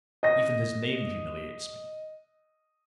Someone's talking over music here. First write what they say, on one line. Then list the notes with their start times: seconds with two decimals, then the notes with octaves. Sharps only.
Even his name humiliates me.
0.23 D#5 A#6